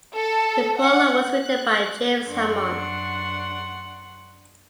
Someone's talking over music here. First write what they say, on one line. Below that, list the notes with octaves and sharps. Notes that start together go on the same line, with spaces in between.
The prologue was written by James Hammond.
A4
F#5
F#6
F#2 D4 F#5 C6 C#6